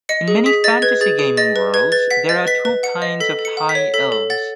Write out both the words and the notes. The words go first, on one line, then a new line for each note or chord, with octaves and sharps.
In many fantasy gaming worlds, there are two kinds of high elves.
D#5 C#7
G#4
G#4 B6
D#5 A6
B4 G#6
G#4 A6
G#4
D#5 A6
B4
B4 G#6
B4 A6
F#5 B6
D#5 A6
B4 B6
B4
F#5 C#7
D#5
A4 B6
A4
C#7
F#5
B6
C#5
A4 B6
A4
F#5 A6